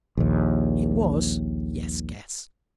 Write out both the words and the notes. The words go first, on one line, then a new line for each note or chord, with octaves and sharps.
It was--yes, guess!
A#1 D#2